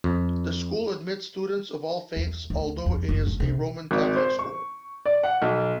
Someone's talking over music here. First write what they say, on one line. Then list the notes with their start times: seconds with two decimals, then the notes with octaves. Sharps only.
The school admits students of all faiths although it is a Roman Catholic school.
0.04 F2
2.16 E2
2.50 D2
2.86 F2
3.09 F#1
3.27 A2
3.40 C3
3.91 G#1
4.16 C5
4.39 C#6
5.06 D5
5.23 F#5
5.42 B1